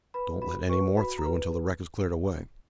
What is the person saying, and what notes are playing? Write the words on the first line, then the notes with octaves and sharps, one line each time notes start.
Don't let any more through until the wreck is cleared away.
B4 B5
F#4 B5
B4 C#6
F#4 B5
A#5
B4